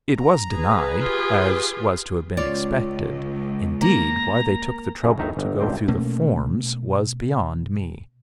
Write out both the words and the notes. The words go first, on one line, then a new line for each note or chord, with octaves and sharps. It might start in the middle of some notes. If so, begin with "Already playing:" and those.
It was denied, as was to have been expected; indeed, why they took the trouble to go through the forms was beyond me.
A#5
G#4 B4
F4 G4
C#2 F4 C#5 D5
A#3 A#5
F#2 C#3
G1 D#3 D#4 E5 A#5
G1
G#1 C#2 G2 C4 G5
B2 A3 A#3 C#4